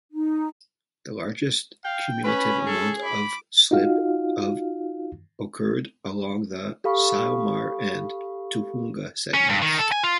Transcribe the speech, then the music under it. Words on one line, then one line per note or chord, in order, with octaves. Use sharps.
The largest cumulative amount of slip of occurred along the Sylmar and Tujunga segments.
D#4
F5 G5
C#4 B4 B5
G#4 A4
B5 D6
D#4 F4 F#4 F5
G4 A4 F5 B5 C#6
C#4
G2
D#3
A4
G#5
F4